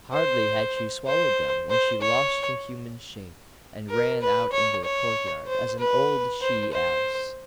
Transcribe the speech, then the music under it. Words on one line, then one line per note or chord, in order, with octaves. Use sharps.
Hardly had she swallowed them, when she lost her human shape, and ran out into the courtyard, as an old she-ass.
C5
C5
C5
C#5
A#4
B4
C#5
C#5
C5
B4
C5
C5